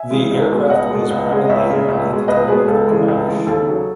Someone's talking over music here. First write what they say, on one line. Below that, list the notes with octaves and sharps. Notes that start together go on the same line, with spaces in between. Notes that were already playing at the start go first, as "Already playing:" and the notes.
The aircraft was privately owned at the time of the crash.
Already playing: E5 G#5
C#3 E3 G#3
C#2
B2 G#3
C#2 D#5 F#5
B2 G#3
C#2
C#3 G#3
D#5
C#2 C#5 E5
C#3 G#3
C#2
B2 G#3
C#2 B4 D#5
B2 G#3 G#4 B4
C#2 A4
C#3 E3 G#3
C#2
C#3 E3 G#3
D#2 A4
C#3 F#3